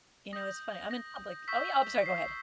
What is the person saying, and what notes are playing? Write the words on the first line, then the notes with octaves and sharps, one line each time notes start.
You know, it's funny, I'm in public oh, yeah, I'm sorry, go ahead.
D#6 G6 A#6
A#6
C#6 E6 G6 B6
C7